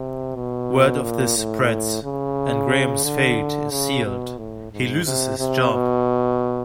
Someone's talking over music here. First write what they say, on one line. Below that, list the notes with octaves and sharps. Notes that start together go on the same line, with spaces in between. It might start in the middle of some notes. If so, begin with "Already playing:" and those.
Word of this spreads, and Graham's fate is sealed; he loses his job.
Already playing: C3
B2
A#2
A2
C#3
D3
C#3
B2
A2
G#2
C3
C3
B2